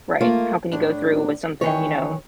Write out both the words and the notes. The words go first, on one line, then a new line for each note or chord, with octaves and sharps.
Right, how can you go through with something, you know?
A3 A#3 F4
A2 D4
D#3 E3 C#5